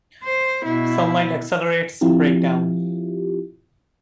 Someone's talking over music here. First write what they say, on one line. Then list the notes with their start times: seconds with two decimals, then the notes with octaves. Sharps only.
Sunlight accelerates breakdown.
0.24 C5
0.65 B2 E4
2.01 F3 C4 E4 F4 G4